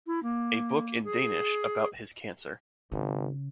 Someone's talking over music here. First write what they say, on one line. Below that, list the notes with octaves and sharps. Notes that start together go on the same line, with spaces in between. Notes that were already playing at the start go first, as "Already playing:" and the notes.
A book in Danish about his cancer.
E4
A#3
G#4
G#1 C#3